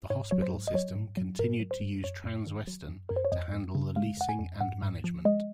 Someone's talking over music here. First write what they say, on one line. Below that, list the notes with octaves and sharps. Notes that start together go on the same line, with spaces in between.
The hospital system continued to use Transwestern to handle the leasing and management.
G#2 C#5
F#3 C#5
C5
G#2
D#5
F#3 C#5
G#2
F#3
G#2 A#4
F#3
C5
G#2
F#2 C#5
F#2
D#3
F#3
F#2
F#2 A#4
C5
C#5
F2 D#5
F2
C#3
G#3 F5
F2 F#5
G#5
F2
G#2 F#5
G#2
F3
G#3 D#5